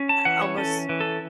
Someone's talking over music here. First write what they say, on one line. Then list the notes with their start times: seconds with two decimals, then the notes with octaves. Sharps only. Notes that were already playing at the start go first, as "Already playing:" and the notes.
uh, almost,
Already playing: C#4
0.09 A5
0.25 E3 F#5
0.42 C#5
0.57 C#4 A4
0.89 E3
1.01 A4